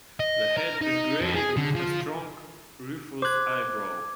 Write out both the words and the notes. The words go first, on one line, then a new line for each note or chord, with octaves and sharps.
The head is grey with a strong rufous eyebrow.
D#5
A#4
D#4
F2
G#4
D3
F3
C5 D6 F#6 G#6